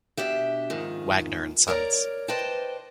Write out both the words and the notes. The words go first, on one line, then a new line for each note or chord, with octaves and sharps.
Wagner and Sons.
B2 D4 G4 E5
F2 G#2 D#3
A#4 C#5 D5 A#5
B4 C5 D5 D#5 G5 A5